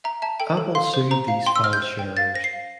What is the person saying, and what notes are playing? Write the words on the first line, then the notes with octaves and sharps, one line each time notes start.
Apple sued these file sharers.
E5 A#5
E5 A5
A4 G5
A4
F5 C6
C5
C5 A#5
F5
G5 C6
E6
C5 F6
G6
C5
G5
F5 A6
C5 A#6
C7
F5